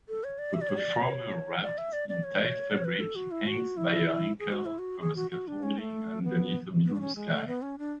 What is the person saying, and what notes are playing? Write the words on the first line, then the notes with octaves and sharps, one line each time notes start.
A performer wrapped in tight fabric hangs by her ankle from a scaffolding underneath a blue sky.
A4
C#5
D5
E5
D5
C#5
D5
C#5
D5
E5
D5
D5
C#5
D5
C#5
B4
A4
F#4
E4
F#4
E4
G#4
F#4
E4
F#4
G#4
F#4
F#4
D4
C#4
A3
B3
B3
D4
C#4
G#3
A3
B3
C#4
D4